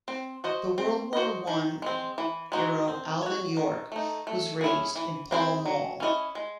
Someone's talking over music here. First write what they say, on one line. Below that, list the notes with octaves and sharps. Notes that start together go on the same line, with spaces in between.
The World War One hero Alvin York was raised in Pall Mall.
C4
F#4 C5 D#5
C4
F#4 C5 D#5
D#3
G#3 C4
E3
G#3 D#4 F#4
C4
F#4 C#5
D#3
A3 D#4
A3
C#4 E4 G#4
E3
C4 E4 G#4 C5
F#3
C#4 E4 A4 D#5
G#3